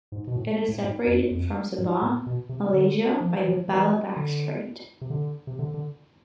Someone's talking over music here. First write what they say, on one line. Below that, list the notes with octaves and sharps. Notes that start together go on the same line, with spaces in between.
It is separated from Sabah, Malaysia, by the Balabac Strait.
G#2
B2
A2
A2
G#2
F2
F2
G#2
A2
B2
C3
D3
F3
E3
F3
E3
D3
C3
D3
C3
D3
D3